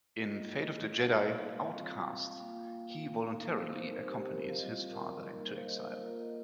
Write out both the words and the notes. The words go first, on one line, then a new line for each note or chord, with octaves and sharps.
In "Fate of the Jedi: Outcast", he voluntarily accompanies his father into exile.
A#3 F4 D#5
D#5
G3 A#3 D#4 F5
F5
D#5
D#5
G3 C4 F4 F5
F5
F5
G5
A#3 F4 F5
A#3 D#4 F5
C5
C5
G3 C4 D#4 A#4
G4
A#4
F5
G3 C4 F4 D#5
A#4
G3 A#3 D#4 A#4
C5
F5
D#5
F5
A#3 F4 A#4
D#5